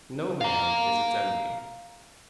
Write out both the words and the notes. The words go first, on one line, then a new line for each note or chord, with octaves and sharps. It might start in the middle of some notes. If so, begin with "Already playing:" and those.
No man is its enemy.
F5 A#5